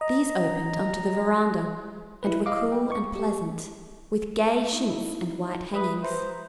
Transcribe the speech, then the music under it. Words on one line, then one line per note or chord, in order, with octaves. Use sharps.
These opened on to the veranda and were cool and pleasant, with gay chintz and white hangings.
D#5 A#5
E4 B4
D#5 F5 D6
G5
C#6
G4
D#4 E4
B4 E5 B5 D#6
B4 C5 E5 A#5